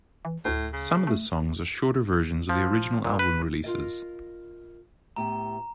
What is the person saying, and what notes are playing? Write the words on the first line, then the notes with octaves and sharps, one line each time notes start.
Some of the songs are shorter versions of the original album releases.
E3
D2 A2
C#3
A3
F3
A#2
B4
F4 A#4 D#5
A2 B3 G4 A#5